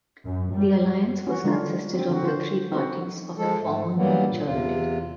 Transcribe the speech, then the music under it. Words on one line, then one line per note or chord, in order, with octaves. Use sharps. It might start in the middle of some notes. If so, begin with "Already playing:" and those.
The alliance was consisted of the three parties of the former New Majority.
F#2
G3
C#4 F#4
D3 G3 G#3 D4 F4 A#4
C4
D3 F3 C4 F#4
D3 F4 C5
B3 C4 D#4 F#4
F3 G#3 A4
G#2 A3
G2 E3 F#3 G3 A#3 B3
A#2
E2 C3 F4